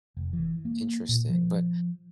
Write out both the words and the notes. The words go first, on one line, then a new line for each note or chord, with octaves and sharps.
Interesting. But
F1
E3
A#3
A#2
F3